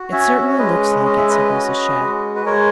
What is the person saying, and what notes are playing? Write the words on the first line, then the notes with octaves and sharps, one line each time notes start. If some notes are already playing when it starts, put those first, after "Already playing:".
"It certainly looks like it," said Mrs. Shadd.
Already playing: F#4
C#4 C#5 E5
G#3 B4 D#5
C#4 D#5
E5
B4 D#5
F#4
G#3
B4
G#3 A#4 C#5